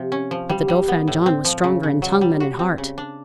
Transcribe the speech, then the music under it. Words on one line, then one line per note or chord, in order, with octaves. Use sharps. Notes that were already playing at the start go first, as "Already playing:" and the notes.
But the Dauphin John was stronger in tongue than in heart.
Already playing: C3 F3
C#4
F3
G3
G3
B3
A2
C4
F3
C#3
C#3
F#3
G3
F#4
C4
C#3
D4